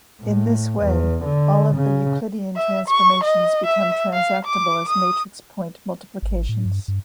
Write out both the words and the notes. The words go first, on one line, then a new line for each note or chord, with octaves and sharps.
In this way, all of the euclidean transformations become transactable as matrix point multiplications.
A2
E2
D3
C#3
E5
C#6
D#5
E5
F5
D6
D#6
G#1
A2
G2
G2